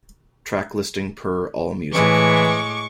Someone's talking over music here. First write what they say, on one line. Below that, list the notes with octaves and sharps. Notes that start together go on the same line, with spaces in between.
Track listing per AllMusic.
A2 E3 G#3 C#6 D6